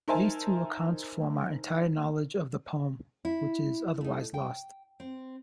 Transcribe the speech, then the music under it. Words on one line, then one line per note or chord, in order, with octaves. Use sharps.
These two accounts form our entire knowledge of the poem, which is otherwise lost.
D#4 A#4 C5 E5 G#5 A5
E4
A3 D#4
G5
C4